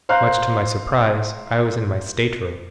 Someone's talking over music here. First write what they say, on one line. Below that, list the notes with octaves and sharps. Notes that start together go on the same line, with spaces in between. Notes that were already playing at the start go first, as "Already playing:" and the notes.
Much to my surprise, I was in my stateroom.
C5 F5 A#5 C6 F#6